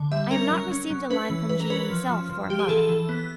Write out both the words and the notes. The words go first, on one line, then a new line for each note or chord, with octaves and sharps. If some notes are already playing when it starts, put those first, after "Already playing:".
I have not received a line from G. himself for a month.
Already playing: D3
G3 E5
C#4 A#4
F#3
C#4
F#3
C#4 B4
E3
E3 B4
A#4
C#4 B4
F3
F3
F3
F3 G4
G#4
E3 A4
E3
B3